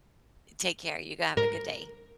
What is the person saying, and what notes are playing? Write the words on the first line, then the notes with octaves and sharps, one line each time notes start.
Take care. You go have a good day.
A#4